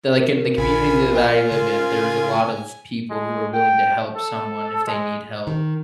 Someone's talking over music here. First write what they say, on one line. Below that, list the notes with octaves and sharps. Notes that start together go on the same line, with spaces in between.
like that like in the community that I live in, there's a lot of people who are willing to help someone if they need help,
A#4
A#1 F4 G#5 B5
G#5
C#3
G#3
G5
A4
G#3
D#3